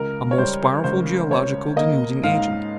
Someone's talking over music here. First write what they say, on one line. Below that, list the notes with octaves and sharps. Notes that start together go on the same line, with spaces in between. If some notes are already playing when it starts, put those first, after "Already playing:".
A most powerful geological denuding agent.
Already playing: C#2 A#4
C#5
G3 C5
C#2 C5
C#2 C#5
A#3 D#5
G#2 F5